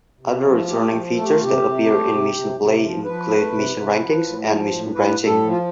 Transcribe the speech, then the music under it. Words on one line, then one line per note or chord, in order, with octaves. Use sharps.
Other returning features that appear in mission play include mission rankings and mission branching.
C3
F3
E4
F4
A3 G4
F3
A3 A4
G4
F4
C3 G4
C3
A3
C3
C3
C3
F3
F3 B4
A3
C3
C3
F3
A2
F3
A2
A2 B4
A2
A4
F3
F4